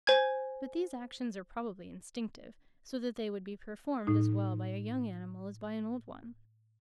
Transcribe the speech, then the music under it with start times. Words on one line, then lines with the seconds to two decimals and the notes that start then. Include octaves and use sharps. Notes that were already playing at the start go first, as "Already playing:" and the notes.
But these actions are probably instinctive, so that they would be performed as well by a young animal as by an old one.
0.07 C5 G#5 G#6
4.07 A2 D#4